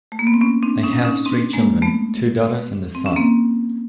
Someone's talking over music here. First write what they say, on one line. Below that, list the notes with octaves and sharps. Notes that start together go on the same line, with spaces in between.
They have three children: two daughters and a son.
A3
A#3
B3
C4
B3 C#4
C4 D4
C#4 D#4
C#4 D#4
C4 D4
G#3 A#3
A3 B3
C4
C#4
A#3 C4